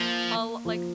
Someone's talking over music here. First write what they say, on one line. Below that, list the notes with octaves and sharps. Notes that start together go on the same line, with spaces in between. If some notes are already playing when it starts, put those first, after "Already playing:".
I'll, like
Already playing: F3 A#3
F3